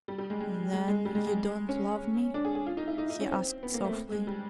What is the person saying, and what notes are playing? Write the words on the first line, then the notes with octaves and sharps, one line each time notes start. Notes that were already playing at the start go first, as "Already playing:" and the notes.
"Then you don't love me?" he asked softly.
G3
G3
G#3
G#3
G#3
G#3
G3
G#3
G#3
C#4
D4
G#4
G#4
F4
D#4
E4
D#4
D#4
C#4
C4
B3
A#3
A3
G#3
G3